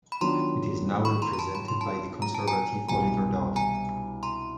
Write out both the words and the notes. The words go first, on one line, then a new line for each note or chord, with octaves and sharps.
It is now represented by the Conservative, Oliver Dowden.
B5
D#3 F#3 B3 D4 F4 A#5 C6
B5 C#6
A#5 C6
A#5
A5 B5
B5
C6
A5 B5
A#5
A5
G#5 A#5
C2 B2 G3 G#5 A#5
G#5 A#5
A#5 C6